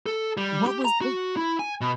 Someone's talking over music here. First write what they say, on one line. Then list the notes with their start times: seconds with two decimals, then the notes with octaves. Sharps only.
what was the
0.06 A4
0.37 G3
0.67 G4
0.85 A#5
1.01 F#4
1.37 E4
1.59 G#5
1.81 B2